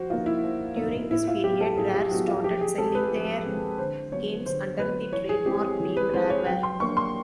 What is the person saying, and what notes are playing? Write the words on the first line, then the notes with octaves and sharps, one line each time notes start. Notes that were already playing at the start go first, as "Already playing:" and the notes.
During this period, Rare started selling their games under the trademark name "Rareware".
Already playing: F3 F#4 C5
A#3 D#4 F4
E4
F3
A#3 D#4
A2 E4
F4
F#3 B3 E4 G4
A4
A2 G#4
G4
F#3 B3 E4 F#4
F4
F3 G4
G#4
G#3 C4 A4
B4
F3
G#3 C4
D3 C5
F#3 B3 C#5
D3 C5
F#3 B3 B4
E3 C#5
G#4
G#3 C4 E4 G4
E3
B4
G#3 C4 E4 C5
C#5
F#3 G5
C6
A#3 D4 C#6
C6